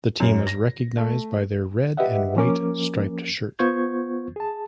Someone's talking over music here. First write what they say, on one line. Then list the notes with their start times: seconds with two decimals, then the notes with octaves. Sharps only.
The team was recognised by their red and white striped shirt.
0.20 F#2
0.47 A#6
0.97 A3
1.97 G4 B4 D#5 E5 F#5
2.36 F3 A#3 C#4 A#4 D6
3.59 B3 F4 C5 C#6 G6 G#6
4.36 G#4 A5